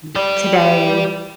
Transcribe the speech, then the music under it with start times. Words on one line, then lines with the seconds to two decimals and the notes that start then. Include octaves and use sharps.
Hmm, today
0.15 G4 D5